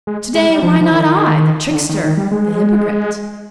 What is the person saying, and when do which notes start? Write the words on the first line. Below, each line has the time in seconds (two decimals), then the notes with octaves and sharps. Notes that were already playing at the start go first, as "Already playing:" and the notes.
To-day why not I, the trickster, the hypocrite?
0.07 G#3
0.35 G#3
0.50 G3
0.63 F3
0.81 F3
0.91 D#3
1.71 D#3
1.75 D3
1.89 D#3
2.04 D#3
2.17 G3
2.32 G#3